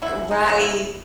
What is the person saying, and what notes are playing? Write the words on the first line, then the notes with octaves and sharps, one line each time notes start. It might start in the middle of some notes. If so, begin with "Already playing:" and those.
Eh, right.
D3 E4
D#4
F#3 A#3
E4